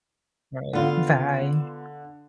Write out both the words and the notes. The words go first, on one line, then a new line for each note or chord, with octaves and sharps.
Right, bye.
D3 B3 F4